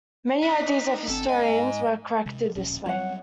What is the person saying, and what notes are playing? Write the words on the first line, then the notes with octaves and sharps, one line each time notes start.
Many ideas of historians were corrected this way.
D4 D#4 B6
G1 C4 A4
G#2 D#5 G#5
C3 G#3
D1 A#1 C#4
F#3 G3 C4 C#5 F#5